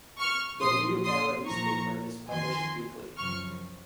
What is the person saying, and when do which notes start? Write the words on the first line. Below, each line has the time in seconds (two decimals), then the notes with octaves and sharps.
"The New Era" newspaper is published weekly.
0.18 C#6 F6
0.61 A#2 F3 C6 D#6
1.03 C6 D#6
1.46 A#2 F3 A#5 C#6
2.31 F2 D#3 G#5 C6
3.17 F#2 C#3 F3 C#6 F6